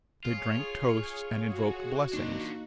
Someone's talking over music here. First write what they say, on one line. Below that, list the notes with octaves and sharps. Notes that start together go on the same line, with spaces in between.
They drank toasts and invoked blessings.
F4 G#4 C#5
F#4
A#3 D4 D#4 C6